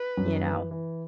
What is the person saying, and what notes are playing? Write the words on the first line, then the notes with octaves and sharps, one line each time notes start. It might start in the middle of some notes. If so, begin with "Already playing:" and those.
You know?
Already playing: B4
F#2
E3
E3